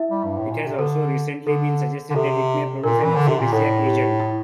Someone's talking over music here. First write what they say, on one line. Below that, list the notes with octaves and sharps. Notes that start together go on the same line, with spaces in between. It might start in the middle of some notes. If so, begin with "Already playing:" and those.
It has also recently been suggested that it may produce an aphrodisiac agent.
Already playing: E4 E5
G3
G2
A2
A#2
C3
D3 A4
D3 A4
D3
C3 A4
A#2 A#4
E3
D3
C3
A#2
A2 A4
G4
E4